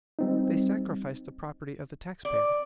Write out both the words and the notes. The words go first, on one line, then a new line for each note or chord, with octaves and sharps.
They sacrificed the property of the tax-payer.
G3 C4 D#4
D5